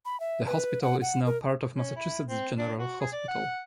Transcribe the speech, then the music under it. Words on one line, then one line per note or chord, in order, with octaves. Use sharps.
The hospital is now part of Massachusetts General Hospital.
B5
E5
B4
F#5
F#5
A#4
C#4
E4
C4
D4
F#4
G#4
D5
F#5